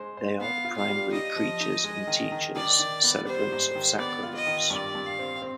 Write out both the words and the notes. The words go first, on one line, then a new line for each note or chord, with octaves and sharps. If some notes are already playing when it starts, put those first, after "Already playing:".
They are the primary preachers and teachers, celebrants of sacraments.
Already playing: G#3 C5
C5
B3 F5
F4
F5
G3
D#4 D#5
F3
D#4
G#3
D#3
D#3
D#3 D5
D#3
B3
G3 C5
G#2
D#3
B3 D5
F4
D#5
D#3
G2 D5
G2
F5
C4
C4